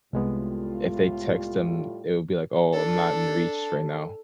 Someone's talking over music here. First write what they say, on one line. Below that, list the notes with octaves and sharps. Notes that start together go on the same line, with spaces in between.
if they text them, it will be like, "Oh, I'm not in reach right now,"
C2 A2 G3 G#3 B3 F4
D4 A4